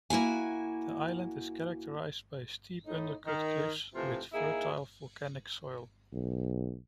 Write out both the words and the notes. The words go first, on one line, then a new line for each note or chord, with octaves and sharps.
The island is characterized by steep undercut cliffs, with fertile volcanic soil.
A#3 E4 F#4 G#5
A2 D#4
D#3
C3 E3 F3 A3 F4
A#3 D#4 E4 G#4
B1